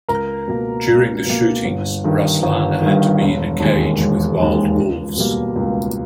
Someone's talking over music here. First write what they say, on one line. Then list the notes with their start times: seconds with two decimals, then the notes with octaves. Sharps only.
During the shootings, Ruslana had to be in a cage with wild wolves.
0.09 C#2 A#4 A#5
0.48 B2 A#3
0.87 C#2
1.26 B2 A#3
1.65 G1
2.04 G2 D#3
2.43 G1
2.82 G2 D#3
3.21 E1
3.60 D#2 D#3 G#3
3.99 E1
4.39 D#2 D#3 G#3
4.77 C#2
5.17 B2 G3 A#3
5.56 C#2